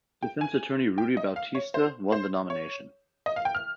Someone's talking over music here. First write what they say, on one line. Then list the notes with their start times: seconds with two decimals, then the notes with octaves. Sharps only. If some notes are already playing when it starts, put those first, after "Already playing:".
Defense attorney Rudy Bautista won the nomination.
0.22 G5
0.41 G#5
0.98 G5
1.17 D#5
1.36 F5
1.55 C#5
1.74 C5
2.12 C5
2.50 C#5
3.26 D#5
3.36 F5
3.45 G5
3.55 F6